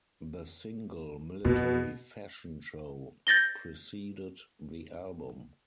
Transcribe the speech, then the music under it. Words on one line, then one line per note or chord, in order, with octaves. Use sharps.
The single "Military Fashion Show" preceded the album.
F2 B2
G6 A6 A#6 G7